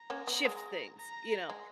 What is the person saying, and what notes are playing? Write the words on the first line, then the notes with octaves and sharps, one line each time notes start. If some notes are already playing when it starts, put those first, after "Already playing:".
shift things, you know,
Already playing: A#5
A#3 C#4
B3
G#3
A#5
G#3